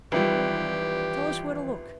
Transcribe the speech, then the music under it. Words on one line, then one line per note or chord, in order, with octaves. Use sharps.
'Tell us where to look.'
G#1 E3 F3 G3 G4 B4 E5